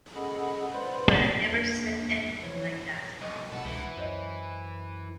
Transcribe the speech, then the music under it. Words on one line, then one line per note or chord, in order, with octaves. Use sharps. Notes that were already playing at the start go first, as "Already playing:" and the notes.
But I never said anything like that.
C#4 G#4 A4 D#5 F#5 B5
B4 C5 D5 F#5 B5 C6
E2 A#3 D4
E3 F3 E4 C#5
C2 F2 D#5
B2 D4 A4 F#5 B5
C#2 E3
F#2 C5 C#5 D#5